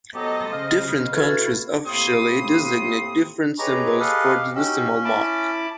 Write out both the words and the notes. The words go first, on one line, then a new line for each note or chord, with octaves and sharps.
Different countries officially designate different symbols for the decimal mark.
F#3 B3 G4 A4 C5 D#5
C#3 F5
E4 F#4 A4 B4 G#6
A2 C3 A#3 B5 C6 D#6
G4 G#4 B4 C#5 D#5 A#5
G#4 A4 B4 F5
C#4 D#4 F#4 G4 E6
E4 A5 B5 D6